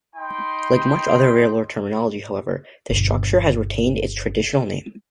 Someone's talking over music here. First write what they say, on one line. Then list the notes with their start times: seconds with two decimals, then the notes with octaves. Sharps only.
Like much other railroad terminology, however, the structure has retained its traditional name.
0.15 D#4 G5 B5 C6
2.90 G1 B2